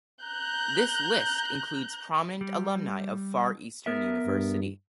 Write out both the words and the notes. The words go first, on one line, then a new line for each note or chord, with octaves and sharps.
This list includes prominent alumni of Far Eastern University.
A#5 F#6 G6
G3
B3 A#4 E5
G2